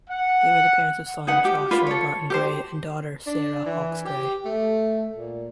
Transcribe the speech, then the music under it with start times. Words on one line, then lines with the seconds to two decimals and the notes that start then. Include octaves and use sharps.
They were the parents of son Joshua Barton Gray and daughter Sarah Hawkes Gray.
0.10 F#5
1.27 D#4 G#4 B4 F#5
1.45 G4
1.71 F4 B4 D5
1.87 A4 C#5
2.30 G4 C5
3.26 D4
3.66 E3
4.06 G4
4.45 A3
5.15 A#2